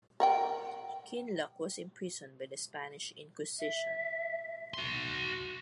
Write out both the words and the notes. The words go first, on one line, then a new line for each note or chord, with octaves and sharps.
Kinloch was imprisoned by the Spanish Inquisition.
A#4 F#5 G5
E5
F#4 C6